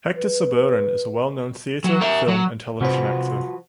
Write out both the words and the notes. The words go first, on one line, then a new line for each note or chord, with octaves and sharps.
Hector Soberon is a well known theater, film and television actor.
B4
F#3
A#4 E5
F#3
C3 F3 F#4 B4 C5